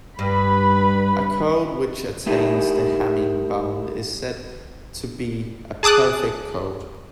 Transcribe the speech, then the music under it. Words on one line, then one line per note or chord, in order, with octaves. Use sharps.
A code which attains the Hamming bound is said to be a perfect code.
G2 B4 B5
A3 D#4 E4 G4 A#4
G#4 A5 D6 D#6 F#6